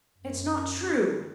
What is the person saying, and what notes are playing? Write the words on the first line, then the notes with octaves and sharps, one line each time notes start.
"It's not true!"
F#2